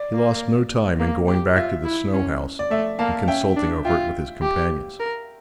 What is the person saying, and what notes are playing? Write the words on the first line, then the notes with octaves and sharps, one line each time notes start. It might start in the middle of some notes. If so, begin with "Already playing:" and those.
He lost no time in going back to the snow house, and consulting over it with his companions.
Already playing: D5
A#3
A#3
G4
F4 E5
E4
C#4
D5
A3 E5
A#3 F5 A5
C#4 E5 G5
D4
F4 E5 G5
G4
A#4